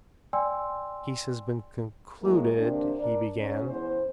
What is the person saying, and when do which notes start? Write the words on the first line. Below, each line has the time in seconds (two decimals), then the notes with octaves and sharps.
"Peace has been concluded..." he began.
0.33 D5 G5 G#5 C6 E6
2.22 A2 E3 F#3 G#3 A#3
2.58 C3 A#3 C4 D4
2.99 D4 A#4 D5
3.37 G#2 C#4
3.67 E2 C5